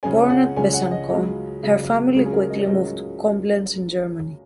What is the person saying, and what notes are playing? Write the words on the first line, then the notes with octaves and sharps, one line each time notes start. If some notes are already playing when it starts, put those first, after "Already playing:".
Born at Besançon, her family quickly moved to Coblence in Germany.
C#2 C#3 G#3 C#4 G#5
F#5
C#2 C#3 G#3 C#4 G#5
F#5
D#5
C#2 C#3 F#3
C#2 C#3 F#3
C#2 C#3 F#3 C#4
G#4
A#4
D#5
C#5
C#2 C#3 F#3 C#4 D#5